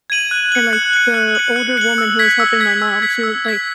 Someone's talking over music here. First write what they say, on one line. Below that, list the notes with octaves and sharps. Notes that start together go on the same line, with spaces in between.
And, like, the older woman who was helping my mom, she was like
G#6 D#7 F#7
F#6
C#7 F#7
F#6
C#7 F#7
F#6
C#7 F#7
F#6
C#7 F#7
E6
G#6 B6
E6
G#6 B6
E6
G#6 B6
E6
G#6 B6